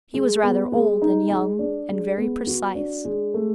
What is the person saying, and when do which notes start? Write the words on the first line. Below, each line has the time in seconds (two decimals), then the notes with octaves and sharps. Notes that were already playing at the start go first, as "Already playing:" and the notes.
He was rather old than young, and very precise.
0.14 G#3
0.43 B3
0.72 G#3
1.02 D#4
1.30 G#3
1.59 D4
1.89 G#3
2.17 B3
2.47 F#4
2.75 D4
3.05 G#3
3.34 A3